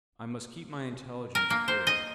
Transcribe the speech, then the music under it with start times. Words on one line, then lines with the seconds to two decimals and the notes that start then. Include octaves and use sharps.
I must keep my intelligence clear.
1.35 A#4
1.50 A#3
1.68 C5
1.87 D#5